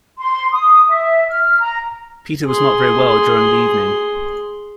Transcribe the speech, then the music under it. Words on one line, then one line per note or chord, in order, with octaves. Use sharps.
Peter was not very well during the evening.
C6
D#6
E5
F6
A#5
G#4 C6